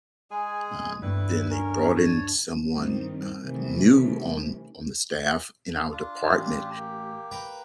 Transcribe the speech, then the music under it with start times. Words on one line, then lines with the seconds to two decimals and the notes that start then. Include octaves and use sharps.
um, then they brought in someone, uh, new on on the staff in our department,
0.31 G#3 G#4 G#5
1.02 D2 G2 E4 B4
1.50 C#4 A#4
1.96 C#5 A5
2.72 G2 D#3 G3 C4 D#4
3.41 C3 D#3 E3 G3 A3 C#4
5.92 D4 F4
6.30 A1 G4
6.75 A#3
7.31 B4 G5 A#5